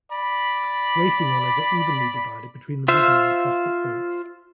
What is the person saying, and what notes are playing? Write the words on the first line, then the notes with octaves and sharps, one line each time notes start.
Racing honours are evenly divided between the wooden and the plastic boats.
D5 B5
F4 C5 E5 F5